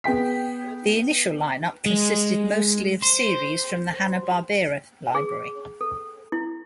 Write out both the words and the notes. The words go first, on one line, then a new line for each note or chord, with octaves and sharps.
The initial lineup consisted mostly of series from the Hanna-Barbera library.
B3 G#4 G5 B6
G#3
C5
G#4
A4
E4